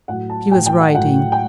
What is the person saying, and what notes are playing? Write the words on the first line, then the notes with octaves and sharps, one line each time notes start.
She was writing.
A2 F#3 F#5
A5
A2 F#3 G5
G5
F#5
A2 F#3 F#5
G5